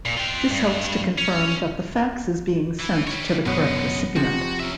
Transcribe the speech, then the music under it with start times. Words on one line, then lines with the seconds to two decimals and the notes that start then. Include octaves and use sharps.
This helps to confirm that the fax is being sent to the correct recipient.
0.05 A#2
0.17 F4 G5
0.50 G2
1.18 C#4
2.79 E3
3.07 G3 C#5
3.46 F#2 B2 G#3 B3
4.16 C3 F3 F#4
4.60 C#4 E5